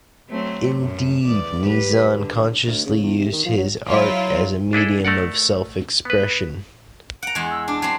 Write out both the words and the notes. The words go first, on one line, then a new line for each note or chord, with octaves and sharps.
Indeed, Ni Zan consciously used his art as a medium of self-expression.
F#3 A3 C4
F#2 A3
E2 D5
G3 B4
D3
D2
C#3
E2
C3
D#3
F3
F#3
F#3 E4 F4
D4 E4 G#4 A4
A3 A#4 D5 F#5
B3 B4
F#5 A#5 D7
E2 G#3
E6
D4 D6
F#3 C4 C7